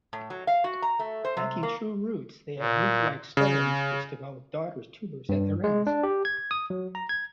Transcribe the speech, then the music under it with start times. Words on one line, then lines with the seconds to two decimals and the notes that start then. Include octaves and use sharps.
Lacking true roots, they have root-like stolons which develop "daughter" tubers at their ends.
0.13 A2
0.30 F#3
0.47 F5
0.64 F#4
0.82 A#5
0.99 A3
1.25 C5
1.37 C3
1.63 A#3
2.59 A#2
3.37 C#3
5.29 G2
5.64 G#3
5.87 D4
6.03 G4
6.25 G#6
6.51 D#6
6.70 F#3
6.95 A#5
7.09 G#6